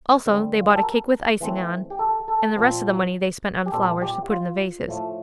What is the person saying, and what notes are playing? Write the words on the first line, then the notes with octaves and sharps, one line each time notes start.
Also they bought a cake with icing on, and the rest of the money they spent on flowers to put in the vases.
D3 G3 C4
F4
G4
A4
A#4
E3 A3 C4
G4
A4
A4
A#2 F3 C4
G4
A#2 G3 C4 A4
G4
F4
A2 F3 A3